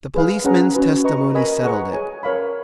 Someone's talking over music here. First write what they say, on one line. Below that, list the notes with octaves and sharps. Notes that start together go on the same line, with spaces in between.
The policeman's testimony settled it.
G#4 B4 F5
C#4 G#4 B4 F#5 A#5
C#4 F#4 B4
B4 D#5 A#5 C#6
A#4 D#5 G#5 B5
G#4 B4 F#5 A#5 C#6
G#4 C#5 G#5
A#4 C#5 F5 B5